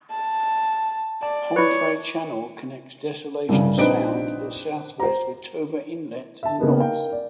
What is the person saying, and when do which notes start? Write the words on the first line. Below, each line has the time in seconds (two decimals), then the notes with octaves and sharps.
Homfray Channel connects Desolation Sound to the southwest with Toba Inlet to the north.
0.10 A5
1.23 D5 A5
1.56 E4 B4 C#5
3.49 C2 G2 C#3
3.78 A#1 C4 D4 D#4 B4 D7
5.00 C5 A#5
6.43 E5 A5
6.59 C#3 A#3 B3 D#4
6.79 D#4 A#4 F5 G5
7.13 D5